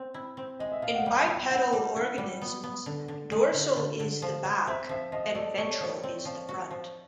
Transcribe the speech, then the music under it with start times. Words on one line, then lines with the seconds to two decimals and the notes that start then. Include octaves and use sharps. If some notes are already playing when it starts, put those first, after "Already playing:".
In bipedal organisms dorsal is the back and ventral is the front.
Already playing: C4
0.14 E4
0.37 C4
0.59 G#3 D#5
0.72 E5
0.82 B2 F5
0.94 F#5
1.05 G3 G5
1.28 E4
1.50 E4 F#5
1.73 G3
1.96 E4
2.18 G3
2.42 B3
2.63 B3
2.86 D3
3.08 D3
3.32 G#3
3.54 D3
3.76 D3
4.00 D3
4.22 F3
4.45 G#3
4.67 C4 E5
4.89 F3 E5
5.12 F3 D#5
5.25 D#5
5.35 A3 D5
5.58 A3 C#5
5.80 F3
6.03 C4
6.25 F3
6.49 F#4
6.71 F3